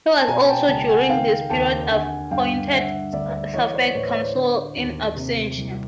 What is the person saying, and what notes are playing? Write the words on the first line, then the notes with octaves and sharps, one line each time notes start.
He was also during this period appointed suffect consul "in absentia".
A5
B2 G#5 A#5
G5 A5
C#2 G5 A5
F#5 G#5
D#3 F5 G5
D#2 G5 A5
D3 F#5 G#5
G2 F5 G5
D3 E5 F#5
D2 D5 E5
E3 C#5 D#5
C5 D5
A2 B4 C#5
C#5
C5 D5
D3
D#2
C3
C2